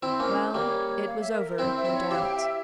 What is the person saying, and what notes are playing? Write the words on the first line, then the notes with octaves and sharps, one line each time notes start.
Well, it was over, no doubt.
C4 E4 C5
A#3 C#4
G3 A#3 C#5
F5
E5
A#4
A#4
C4 E4 C5
E5
C4 E4
C#5
E4 G4 F5
G5
E5